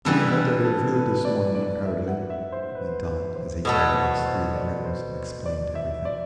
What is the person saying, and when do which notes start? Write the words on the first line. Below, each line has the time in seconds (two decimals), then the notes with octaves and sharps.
"We had a review this morning early," he went on, as he guided us through the rooms and explained everything.
0.05 G2 E3 G3 B3
0.35 C4
0.65 A4
0.94 B4
1.25 D5
1.55 D5
1.85 E5
2.07 F#5
2.30 E5
2.52 C5
2.75 B4
3.05 B4
3.35 C5
3.65 B2 F#3 A3 A4
3.95 C5
4.25 C5
4.55 D5
4.85 C5
5.46 D5
5.75 E5
6.05 D5